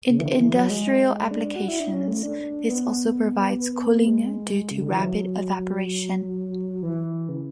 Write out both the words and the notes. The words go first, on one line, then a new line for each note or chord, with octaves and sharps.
In industrial applications this also provides cooling due to rapid evaporation.
C#3
E3
D3
E3
F#3
G#3
D4
F#4
E4
D4
C#4
A3
D4
B3
G#3
C#3
D3
E3
F#3
E3
C#3